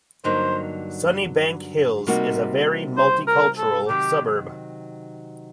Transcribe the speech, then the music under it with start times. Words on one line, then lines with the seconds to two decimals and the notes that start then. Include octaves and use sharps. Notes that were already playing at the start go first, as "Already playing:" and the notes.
Sunnybank Hills is a very multicultural suburb.
0.24 G2 D3 F#3 A#3 D#4 C5
2.07 C3 G3 A#3 D#4 F#4
2.97 C5
3.27 A#4
3.58 A4
3.89 C3 D#3 F#3 G4